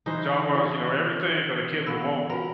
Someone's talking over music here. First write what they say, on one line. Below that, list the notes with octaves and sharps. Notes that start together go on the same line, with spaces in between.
pajamas, you know, everything that a kid would want.
E3 D#4 C5
E4 C#5 D5
B2 F5 F#5 B5 E6
F4 F#4 A#4 B4 A#5 B5